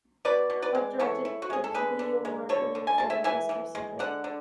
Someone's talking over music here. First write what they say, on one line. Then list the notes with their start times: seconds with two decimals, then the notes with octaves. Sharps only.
Buck directed the Peabody Award winning film "Best Kept Secret".
0.25 B2 B4 D5
0.50 B2
0.62 B4 D5
0.75 G#3
0.99 E3 A4 C#5
1.25 E4
1.42 F#4
1.50 G#3 G#4
1.64 A4
1.74 D3 G#4 B4
1.99 D3
2.25 G#3
2.49 D3 A4 C#5
2.75 D3
2.87 G#5
2.98 G#3 A5
3.10 E5 G#5
3.24 E3 E5 G#5
3.49 E3
3.75 G#3
3.99 D3 D5 F#5
4.24 D3